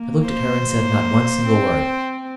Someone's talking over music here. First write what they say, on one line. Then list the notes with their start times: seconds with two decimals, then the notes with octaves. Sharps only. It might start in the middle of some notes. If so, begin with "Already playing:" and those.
I looked at her and said not one single word.
Already playing: A#3
0.26 C5
0.66 A#3
1.45 C4